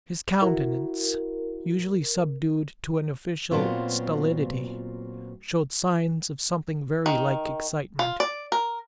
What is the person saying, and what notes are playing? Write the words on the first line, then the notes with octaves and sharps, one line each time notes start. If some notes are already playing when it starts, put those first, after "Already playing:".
His countenance, usually subdued to an official stolidity, showed signs of something very like excitement.
E4 F#4 A#4
A#2 F#3 B3 C4 F4
D#3
F4
D5
A#4